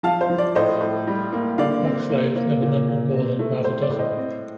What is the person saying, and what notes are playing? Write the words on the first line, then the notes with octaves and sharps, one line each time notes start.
Black slaves never numbered more than about a dozen.
F3 F5 A5
C5
F3
D5
A2 C5 D#5
A2
G3
A#3
D3 D5 F5
C4
A#3
A#3
A#2
A#2
C4
A3
A2 C5
D5
A2
C5 D#5
C4